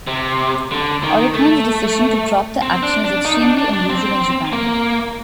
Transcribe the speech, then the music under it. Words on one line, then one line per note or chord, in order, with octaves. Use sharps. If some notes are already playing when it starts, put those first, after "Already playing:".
Oricon's decision to drop the action is extremely unusual in Japan.
C3
D3
D#3
A3
C4
D4
D4
D#4
D4
D4
D4
C4
A#3